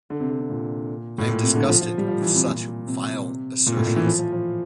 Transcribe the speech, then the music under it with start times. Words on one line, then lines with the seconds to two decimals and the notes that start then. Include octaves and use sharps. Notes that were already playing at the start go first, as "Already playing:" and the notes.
I am disgusted with such vile assertions.
0.10 D3
0.20 C3
0.30 D3
0.40 C3
0.50 A#2
1.18 A2
1.29 A#2
1.42 C3
1.55 D3
1.68 F3
1.81 F3
1.98 G3
2.08 F3
2.21 E3
2.34 C3
2.47 A#2
2.87 C3
3.66 A#2
3.77 A2
3.86 A#2
3.96 E3
4.06 F3
4.19 F3
4.33 F3